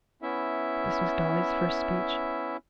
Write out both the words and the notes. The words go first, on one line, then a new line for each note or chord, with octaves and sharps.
This was Dolly's first speech.
B3 C#4 E4 E5